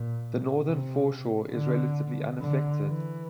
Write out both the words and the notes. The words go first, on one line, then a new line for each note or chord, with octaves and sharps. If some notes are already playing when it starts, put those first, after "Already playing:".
The northern foreshore is relatively unaffected.
Already playing: A#2
C3
D3
D3
E3